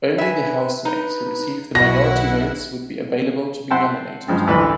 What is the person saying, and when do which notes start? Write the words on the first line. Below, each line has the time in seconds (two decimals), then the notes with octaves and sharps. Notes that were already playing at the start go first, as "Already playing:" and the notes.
Only the housemates who received the minority votes would be available to be nominated.
0.18 B4 E5 G#5
0.85 D#4 B4
1.75 B1 B2 E4 F#4 F#5 A#6
3.70 C4 C5 E5 F#5 G5 A5
4.28 G2 C#3 F3 G#3 C5
4.47 A1 D2 E3 B4 D5 B5